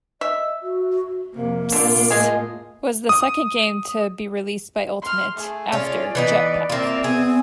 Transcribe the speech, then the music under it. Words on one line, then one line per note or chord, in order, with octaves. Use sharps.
"Pssst" was the second game to be released by Ultimate, after "Jetpac".
D#5 E5
F#4
F2 C3 A#3
A#2 D3 F4 D5
A2 G#3 F4 G#4
D#6
C6 F6
A3 G#4
C#4 F4 D5
E3 B3 D#4
A#3 C4 F4 E5
B3 G#4